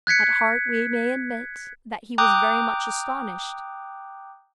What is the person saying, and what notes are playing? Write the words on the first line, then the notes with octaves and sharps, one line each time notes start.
At heart we may admit that he was very much astonished.
F#6 G#6 B6 C#7
G5 A#5 D6 D#6 F#6 G6